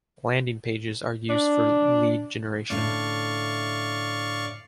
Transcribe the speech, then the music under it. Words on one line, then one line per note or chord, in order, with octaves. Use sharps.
Landing pages are used for lead generation.
D4
A2 D3 C#4 D5 F5 C#6